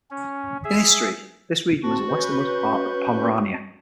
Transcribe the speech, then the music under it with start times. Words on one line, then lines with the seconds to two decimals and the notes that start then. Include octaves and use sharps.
In history this region was the westernmost part of Pomerania.
0.11 C#4
0.64 G#4 E5
1.83 D#3 C4 F#4 A5
2.06 C#4 B4 G6